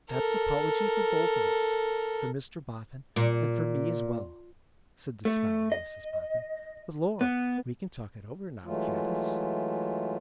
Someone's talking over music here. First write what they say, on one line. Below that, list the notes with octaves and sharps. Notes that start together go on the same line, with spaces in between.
'That's apology for both of us: for Mr Boffin, and for me as well,' said the smiling Mrs Boffin. 'But Lor! we can talk it over now; can't us?'
A4 A#4
A#2
A3
D#5
B3
E3 F#3 G#3 A3 F4